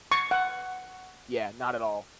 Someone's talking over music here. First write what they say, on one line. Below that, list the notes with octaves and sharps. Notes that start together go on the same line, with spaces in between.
Yeah, not at all.
C#6
F#5